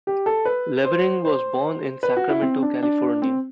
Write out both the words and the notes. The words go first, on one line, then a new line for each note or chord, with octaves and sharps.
Levering was born in Sacramento, California.
G4
A4
B4
C5
C5
B4
F#4
E4
C4
D4
D4
C4